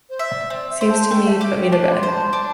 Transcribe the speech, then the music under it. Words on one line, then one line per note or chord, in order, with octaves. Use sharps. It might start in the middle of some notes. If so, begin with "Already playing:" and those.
Seems to me you put me to bed.
C5
E5
D5
C4 D5
E5
C5
A5
A3 G5
E5
G4
G5
G5
D4 A5
C6
C5
A5
C6
D4 A5